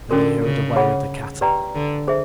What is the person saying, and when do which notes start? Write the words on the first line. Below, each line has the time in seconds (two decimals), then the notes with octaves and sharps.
Then he hurried away with the cattle.
0.11 D3 C#4 F#4 A#4
0.44 C#3
0.76 G#4 C#5 F#5 B5
1.41 G4 B4 D5 G5 A#5
1.75 D3
2.08 G#4 C5 E5